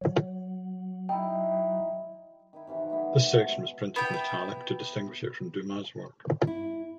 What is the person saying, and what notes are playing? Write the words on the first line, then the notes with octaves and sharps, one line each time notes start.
This section was printed in italic to distinguish it from Dumas' work.
F#3
D#4 E4 G5
D#3 D#4 E4
C3 D#3 E3 F#3
F#3 A3 B3
E5
C3 G#3 A3
B3 E4 G5
E4